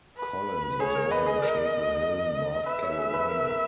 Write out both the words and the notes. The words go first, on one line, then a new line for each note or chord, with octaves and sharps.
Collins was born in Chapel Hill, North Carolina.
B4
G#4 C#5
A#4
B4 D#5
G#4
A#4
B4 E5
C#5
G#4
B4
A#4
A#4